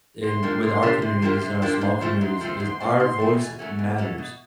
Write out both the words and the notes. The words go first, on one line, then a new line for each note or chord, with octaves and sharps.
in with our communities, and our small communities, is our voice matters.
C3 C6
F3 A#3 D4 G4
C3 C6
F3 A#3 D4 G4
C3 C6
F3 A#3 D4 G4
C3
F3 A#3 D4 G4
G#2
F3 A3 C4
G#2 C6
F3 A3 C4
G#2
F3 A3 C4
G#2 C6
F3 A3 C4
B2 G#5
F#3 A3 C#4
B2
F#3 A3 C#4
B2